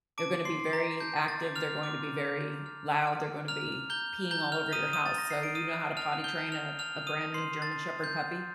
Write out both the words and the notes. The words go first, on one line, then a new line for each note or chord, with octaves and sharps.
they're gonna be very active, they're going to be very loud, they're gonna be peeing all over your house, so you know how to potty train a a brand new German Shepherd puppy?
A5 D6 D7
C6 C7
A5
A#5 A#6
A5 G6
A6
D6
F6 F7
D6
G6
F6
F6
A#5 F6 F7
A#5 G6 G7
A#5 G6 G7
F6 F7
A#5 D#6 D#7
D#6 D#7
A6
A#5 A#6
C7
D7
D#6 F6 D#7
A5 F6 F7
G6 G7
A5
F6 F7
A5 F6 F7
D#6 D#7
A5
C6 C7
A5 A6
A5 G6